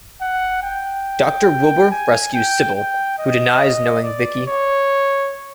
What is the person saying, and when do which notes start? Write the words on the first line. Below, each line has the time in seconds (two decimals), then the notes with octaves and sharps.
Doctor Wilbur rescues Sybil, who denies knowing Vickie.
0.21 F#5
0.63 G5
1.91 G#5
2.34 G5
2.76 G5
3.19 D#5
4.03 D5
4.47 C#5